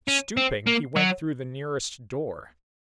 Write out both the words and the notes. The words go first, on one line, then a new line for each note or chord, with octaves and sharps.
Stooping, he went through the nearest door.
C#4
C4
A#3
F#3